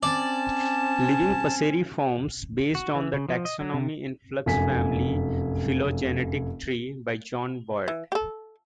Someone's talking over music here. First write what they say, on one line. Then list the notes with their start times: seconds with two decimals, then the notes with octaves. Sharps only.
Living Passeriformes based on the "Taxonomy in Flux family phylogenetic tree" by John Boyd.
0.03 C4 C#4 D5 A5
2.75 F#4
2.95 E3
3.14 C#3
3.29 F3
3.45 D#5
3.60 F#3
3.74 C3
4.46 F1 F#2 G#5 B6
7.88 E3
8.12 G4 A4